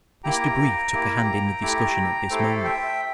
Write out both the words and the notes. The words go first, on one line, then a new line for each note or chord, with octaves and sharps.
Mr. Brief took a hand in the discussion at this moment.
A#3 E4 G4 G5 A#5
A#3 E4 G4
A3 E4 G4
A3 E4 G4 A4 C5
E5 G5